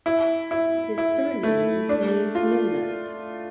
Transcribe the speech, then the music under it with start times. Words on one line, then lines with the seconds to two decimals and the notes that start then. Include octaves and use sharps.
His surname means "midnight".
0.06 E4
0.51 E4
0.98 E4
1.43 A3
1.89 D4
2.35 F4